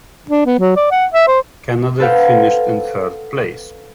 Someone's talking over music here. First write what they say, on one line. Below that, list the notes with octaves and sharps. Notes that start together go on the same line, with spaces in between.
Canada finished in third place.
D4
B3
F#3
D5
F#5
E5
C5
A4 B4 C5 F5 F#5